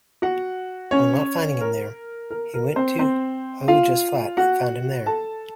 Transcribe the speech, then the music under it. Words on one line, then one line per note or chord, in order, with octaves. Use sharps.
On not finding him there, he went to Ahuja's flat and found him there.
F#4 F#5
C#4 C#5
A#4
A#4
A#4
C4 C5
C4 C5
F4 F5
F#4 F#5
A4 A5